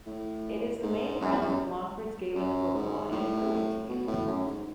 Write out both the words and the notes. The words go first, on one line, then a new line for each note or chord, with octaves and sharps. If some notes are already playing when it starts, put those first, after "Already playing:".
It is the main grounds of Longford's Gaelic football and hurling teams.
A2
G#2
F#2
E2
F#2
F#2
G#2
A2
B2
A2
F#2
G#2